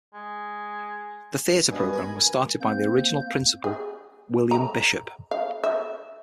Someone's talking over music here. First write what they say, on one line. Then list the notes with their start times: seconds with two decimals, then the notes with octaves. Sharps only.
The theatre program was started by the original principal William Bishop.
0.14 G#3
1.71 G2 B2 B3 G#5
1.93 A#4 A#5 B5
2.61 A#3 C4 G6
3.64 G#4
4.51 A#5
5.31 F5
5.64 E5